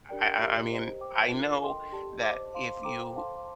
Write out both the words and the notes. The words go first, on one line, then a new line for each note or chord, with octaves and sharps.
I I I mean, I know that if you,
D4 G4 A#4 D5 G5
G4 A#4 D#5 A#5
G4 C5 D#5
C5 G5 D6
D4 F4 A#4
A4 D#5 G5 C6
G4 D5 A5
C5 D#5 A5 D6
C5 F5 C6
A4 C5 G5 A#5 D6
C5 F5 A5 C6